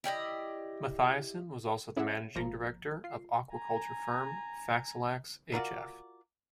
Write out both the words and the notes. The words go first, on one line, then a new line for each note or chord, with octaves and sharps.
Mathiesen was also the managing director of the aquaculture firm Faxalax hf.
E4 G4 D5 D#5
C#4 E4 G#4 C#5 E5 F#5
G#1 F3 A#3 A#5
F4 C7
G#5 A#5
F4 F#4 A#4 D5